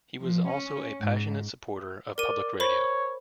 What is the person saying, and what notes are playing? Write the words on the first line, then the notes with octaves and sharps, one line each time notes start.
He was also a passionate supporter of public radio.
F3
C#4
G#2
A#4 D5 D#7
C5 C#5 B5